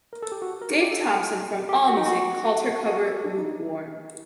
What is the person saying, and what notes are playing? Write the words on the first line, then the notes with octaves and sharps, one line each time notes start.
Dave Thompson from AllMusic called her cover "lukewarm".
A#4
A4
G4
F#4
A#4
G4
G4
A4
G4
F#4
D#4
F#4
F#4
G4
A4
G4
D4
D#4